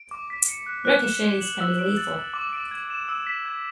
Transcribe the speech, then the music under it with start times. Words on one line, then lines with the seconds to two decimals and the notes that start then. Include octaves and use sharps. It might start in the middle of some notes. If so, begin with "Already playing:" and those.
Ricochets can be lethal.
Already playing: D7
0.11 D6
0.30 B6
0.48 C#7
0.66 F#6
0.85 F#6
1.04 E7
1.23 G#6
1.41 F#7
1.60 E6
1.79 D7
1.97 A6
2.15 F#7
2.34 D6
2.53 D7
2.71 G#6
2.90 E7
3.09 E6
3.27 B6
3.45 G#6